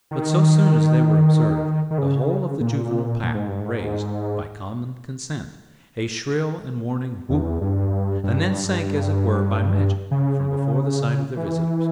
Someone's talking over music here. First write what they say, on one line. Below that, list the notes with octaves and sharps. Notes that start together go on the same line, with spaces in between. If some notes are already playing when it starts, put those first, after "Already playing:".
But so soon as they were observed the whole of the juvenile pack raised, by common consent, a shrill and warning whoop; and then sank, as it were, by magic, from before the sight of their visitors.
D#3
D#3
C#3
A#2
A#2
G#2
G2
G#2
E2
G2
G2
C#3
E3